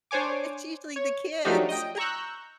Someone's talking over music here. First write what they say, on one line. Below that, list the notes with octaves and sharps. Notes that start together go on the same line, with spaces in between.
It's usually the kids.
D4 C5 C#5 G#5 D6
C#5
F3 F#3 A3 D4 D#4 G4
D#5 G5
A#5 C#6 E6 F#6 G6